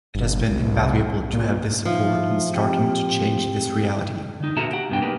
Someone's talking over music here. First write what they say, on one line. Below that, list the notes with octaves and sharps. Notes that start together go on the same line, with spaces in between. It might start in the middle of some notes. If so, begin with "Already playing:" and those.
It has been invaluable to have this support in starting to change this reality.
G1
C2
A#2
F3 D#4 E5
C4 G4 G5
D3 D#4
A#2 B3 F#4 A4 E5 A#5
G4 F#5
C2 G2 B3 D4 G5
A#3 D#4 G4 A#4 B4